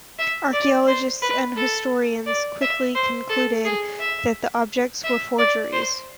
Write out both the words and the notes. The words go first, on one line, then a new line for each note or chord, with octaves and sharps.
Archaeologists and historians quickly concluded that the objects were forgeries.
E5
D5
C5
B4
A4
D5
E5
C5
A4
G#4
E5
E5
D5
C5